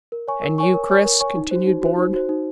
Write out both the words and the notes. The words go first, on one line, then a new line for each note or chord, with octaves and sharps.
"And you, Chris?" continued Bourne.
A#4
C#5 G#5 C#6
A#4
C#5 G#5 C#6
A#4
C#5 G#5 C#6
A#4
C#5 G#5 C#6
D#4
F#4 C5
D#4
F#4 C5
D#4
F#4 C5
D#4